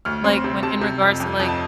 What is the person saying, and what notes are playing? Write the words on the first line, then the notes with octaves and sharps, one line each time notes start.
like, when in regards to, like,
D2 F6
C4 C6
C3
C3 A5
C3
F2
F2
F2
A5